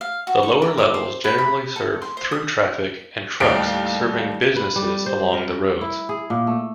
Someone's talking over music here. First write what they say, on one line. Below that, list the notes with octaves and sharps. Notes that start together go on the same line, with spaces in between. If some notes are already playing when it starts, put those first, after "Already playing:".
The lower levels generally serve through-traffic and trucks serving businesses along the roads.
F5
F#4
C#6
A#4
D6
C5
B4
B5
A4
C6
C5
D#6
D#2 A2 G3 F5 D7
B4
G3
C5
A#4
E4
G#4
A#2
A3